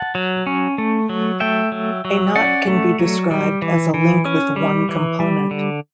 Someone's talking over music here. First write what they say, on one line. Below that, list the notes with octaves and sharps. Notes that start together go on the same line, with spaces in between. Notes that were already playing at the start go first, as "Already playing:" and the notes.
A knot can be described as a link with one component.
Already playing: F#5 A5
F#3
C#4
A3
F#3
A3 E5 G5
F#3
F#3
C#4 D5 F#5
A3
F#3
G3
E3
E3
C#4
G3
E3
G3
D3